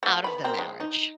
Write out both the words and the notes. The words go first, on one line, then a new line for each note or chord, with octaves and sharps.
out of the marriage?
A3 F#4
B3 B5
A#3 C4
G#3
D#4